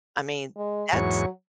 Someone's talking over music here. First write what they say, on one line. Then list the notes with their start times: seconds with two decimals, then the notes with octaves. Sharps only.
I mean, that's
0.57 G#3
0.93 E2 G#2 F#3 C#6